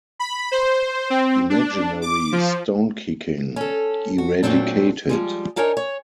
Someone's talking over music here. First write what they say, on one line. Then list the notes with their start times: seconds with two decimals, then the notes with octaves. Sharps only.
Imaginary stone-kicking eradicated.
0.19 B5
0.51 C5
1.10 C4
1.50 D4
2.02 D6
2.32 F3
3.56 C#4 A4
4.18 F#4
4.43 A#2 F#3 A3 C4 D4
5.09 F3 G3 G#3
5.56 D4 D#4 A#4 C#5 G#5
5.77 C#5